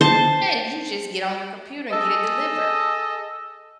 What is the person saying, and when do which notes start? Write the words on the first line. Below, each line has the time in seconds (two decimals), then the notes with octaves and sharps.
hey, you just get on your computer and get it delivered.
0.01 C5 A5
1.91 G#4 A4 D#5